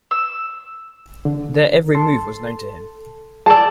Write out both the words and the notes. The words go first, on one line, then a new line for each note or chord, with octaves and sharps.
Their every move was known to him.
E6
D3
A4 A5 C6
G#4 D5 A5 E6